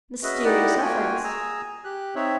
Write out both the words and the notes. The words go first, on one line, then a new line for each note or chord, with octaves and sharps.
Mysterious efforts!
C#4 F#4 G#4 B4 D#5 E5
D#4 E4 G4 D5 D#5 F#5
A#3 F4 F#4 G5 G#5
G#4 G#5 A#5 E6
G4 F#6
C4 D#4 C#5 E5